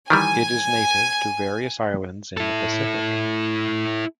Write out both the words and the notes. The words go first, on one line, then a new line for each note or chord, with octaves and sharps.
It is native to various islands in the Pacific.
D#3 E3 G3 G#5
E4 A4